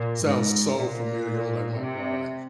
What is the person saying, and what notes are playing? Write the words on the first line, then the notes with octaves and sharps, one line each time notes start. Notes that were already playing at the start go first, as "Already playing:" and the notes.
sounds so familiar. I'm, like, "My god,
Already playing: A#2
G#2
A#2
C3